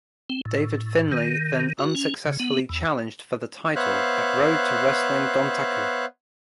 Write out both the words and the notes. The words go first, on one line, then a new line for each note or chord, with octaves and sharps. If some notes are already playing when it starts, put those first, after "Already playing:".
David Finlay then unsuccessfully challenged for the title at Road to Wrestling Dontaku.
C4
A2
D#3
F#4
C#4
C#3
B3
E2
B3 C5 C#5 E5 F5 F#6